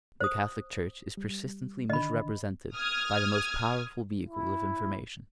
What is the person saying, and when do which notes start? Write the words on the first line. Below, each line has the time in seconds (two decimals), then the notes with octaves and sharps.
The Catholic Church is persistently misrepresented by the most powerful vehicles of information.
0.20 C5 D#6
1.17 G3
1.90 D3 D#3 D4 D#5 B5
2.75 D#6 F6 G#6
4.28 E4